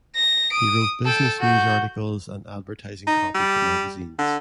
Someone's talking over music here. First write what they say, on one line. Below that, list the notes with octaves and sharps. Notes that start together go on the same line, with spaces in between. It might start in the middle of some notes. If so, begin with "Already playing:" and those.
He wrote business news articles and advertising copy for magazines.
A#6
D#6 D7
A4 G5
F#4 G6
D#4
G3
D3